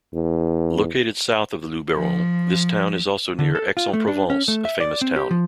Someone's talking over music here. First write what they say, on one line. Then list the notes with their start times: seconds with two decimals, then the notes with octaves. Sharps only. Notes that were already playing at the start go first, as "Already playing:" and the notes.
Located south of the Luberon, this town is also near Aix-en-Provence, a famous town.
0.14 E2
1.93 F3
3.39 D3
3.55 A4
3.77 F4
3.94 A3
4.07 D4
4.30 C#4
4.48 A3
4.65 E5
4.80 D5
5.01 C4
5.16 G4
5.31 F3